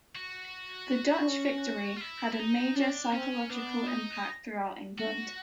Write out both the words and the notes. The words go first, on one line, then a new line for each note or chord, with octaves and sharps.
The Dutch victory had a major psychological impact throughout England.
F#4
D4
C#4
F4
E4
E4
D#4
C#4 D4
C4 C#4
B3 D4
D#4
A3 F#4